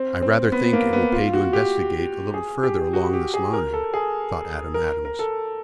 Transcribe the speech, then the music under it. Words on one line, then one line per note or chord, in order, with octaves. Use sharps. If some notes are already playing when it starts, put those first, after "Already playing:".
"I rather think it will pay to investigate a little further along this line," thought Adam Adams.
Already playing: C4
C4
B3
A#3
B3
F4
F#4
G4
G#4
G4
G4
F#4
G4
G#4
A#4
A4
G#4
A#4
A#4
A4